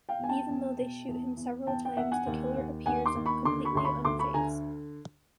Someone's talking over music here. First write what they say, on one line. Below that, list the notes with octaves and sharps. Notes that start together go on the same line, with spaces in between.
Even though they shoot him several times, the killer appears completely unfazed.
F5 G5
E2 G#5
G5 A5
E2
B2
E2
E2
E2 G5 A5
G5
E2 E5 F#5
F#5 G#5
D#2
D#2
D#2 F#5 G#5
C6 D6
D#2
B5 C#6
D3 C6 D6
B5 C#6
D2 C6
B5 C#6
D2 C6 D6
B5 C#6
D3 G#5 A#5